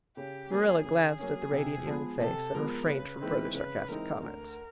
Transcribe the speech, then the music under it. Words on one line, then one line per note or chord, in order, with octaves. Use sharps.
Marilla glanced at the radiant young face and refrained from further sarcastic comments.
C#3 G4
F#3 A#3 C#4 G#4
C#3 G#4
F#3 A#3 C#4
C3
F3 G#3 B3
C3 A4
F3 G#3 B3 A#4
C#3 B4
E3 G#3 C4 D#4 B4
C#3 B4
E3 G#3 C4 D#4 A#4
D2 A#4